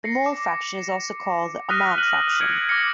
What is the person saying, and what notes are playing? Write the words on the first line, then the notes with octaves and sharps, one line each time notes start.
The mole fraction is also called the amount fraction.
A#6 C7 C#7
D6
D#6 F6 F#6 A#6 B6 D#7
F#6 D#7 F#7
D#6 G#6 C#7 D7 F#7
D6 F6 A#6 C#7